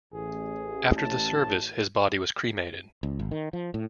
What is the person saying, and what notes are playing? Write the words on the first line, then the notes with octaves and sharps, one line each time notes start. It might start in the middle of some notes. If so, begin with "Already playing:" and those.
After the service, his body was cremated.
A1 G#4
A5
C#2
G#1
D#3
F3
A2